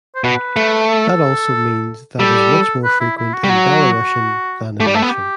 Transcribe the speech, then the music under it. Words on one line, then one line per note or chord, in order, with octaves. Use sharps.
That also means that is much more frequent in Belarusian than in Russian.
C5
B2 B4
A3
A4
G3 A4
B4
E4
E4
F#4
G3
F#3
A3 G4
G3
A3 A4
B3
G4